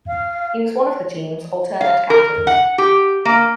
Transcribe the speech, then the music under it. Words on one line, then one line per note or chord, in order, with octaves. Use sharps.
He was one of the team's alternate captains.
F5
F5
A#4
F#5
G4
A#3